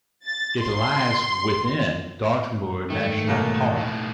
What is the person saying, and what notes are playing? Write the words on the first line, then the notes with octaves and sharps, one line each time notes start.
It lies within Dartmoor National Park.
A6
C6
G#2 D#3 A3
C2 B2 A#3
A2 D#3